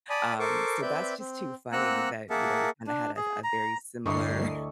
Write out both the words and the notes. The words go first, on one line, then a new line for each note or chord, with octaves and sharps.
Um, so that's just too funny that, you know, we kinda had a a very similar
D5 G#5 A5 B5 D#6
A4 A#4 C5 C#6 D6
C4 B4 D5 E5 G6
C4
A#3 C4 F#5 A#5 E6 F#6
A#3 G#4 A#4 E5 F#5 A5
D4
G#4
A#5
D2 G2 D3 E4 D#5 A#5 C#6 C7